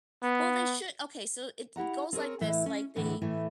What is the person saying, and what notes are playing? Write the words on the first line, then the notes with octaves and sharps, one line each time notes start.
Well, they should okay, so it goes like this, like, they
B3
E4 G4 F#5 A#5
C4 G#4 A#4 C#5
A2 E3 E4
C#4
E2 A2 D3 E3
A2 E3 A3